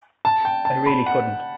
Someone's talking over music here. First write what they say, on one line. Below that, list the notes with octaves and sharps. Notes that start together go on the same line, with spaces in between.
I really couldn't.
A5
G5
A5
B5
F#5